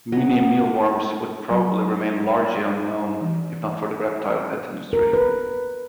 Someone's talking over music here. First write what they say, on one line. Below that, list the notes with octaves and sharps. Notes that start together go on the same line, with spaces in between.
Mini mealworms would probably remain largely unknown, if not for the reptile pet industry.
F#3 B3 D#5 G#5
F#3
E3
A#4
B4